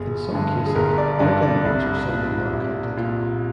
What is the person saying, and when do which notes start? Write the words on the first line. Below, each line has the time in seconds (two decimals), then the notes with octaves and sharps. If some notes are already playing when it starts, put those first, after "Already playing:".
In some cases, write-in votes are simply not counted.
Already playing: G1 G#4
0.32 G2 D3
0.66 G#4
0.75 G1 A#4
0.98 D5
1.19 G2 D3 D5
1.42 D5
1.65 C2
2.09 A#2
2.53 C2
2.97 A#2